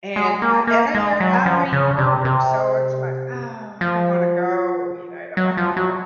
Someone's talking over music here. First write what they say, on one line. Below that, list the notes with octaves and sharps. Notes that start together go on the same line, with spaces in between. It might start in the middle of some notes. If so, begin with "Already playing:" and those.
And I in a year I'm a year older, so it's, like, "Oh, I don't wanna go," you know, "I don't wanna go."
G#3
A#3
A#3
G#3
F#3
F3
C#3
C3
C3
F3
F#3
F3
F#3